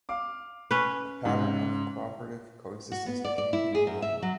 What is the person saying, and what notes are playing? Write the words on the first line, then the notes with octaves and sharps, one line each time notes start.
A pattern of cooperative coexistence became the new normal.
F5 D6
C#4 B4
G#2 C#3
F#4
B3
D5
D5
E4
G#4
F#2
E5
F#3